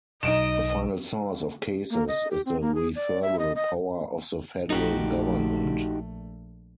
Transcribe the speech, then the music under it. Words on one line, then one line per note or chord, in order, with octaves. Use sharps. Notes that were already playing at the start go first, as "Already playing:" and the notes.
A final source of cases is the referral power of the federal government.
B1 D#4 D#5 D7 E7
A#3
D#5
G4
C4
A#3
G#4
D5
E5
D#5
D#5
A#1 A3 D#4 F#4 G4